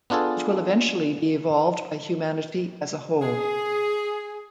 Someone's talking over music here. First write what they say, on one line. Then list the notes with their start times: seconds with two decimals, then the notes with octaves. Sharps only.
It will eventually be evolved by humanity as a whole.
0.10 B3 D4 F4 G#4 A4
3.22 G#4